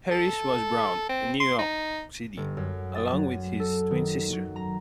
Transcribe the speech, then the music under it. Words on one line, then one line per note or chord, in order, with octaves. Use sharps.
Harris was born in New York City, along with his twin sister.
A4
C4
C6
D#4
G1
F#2
A6
F#3
A4
D#3
F#3
A#5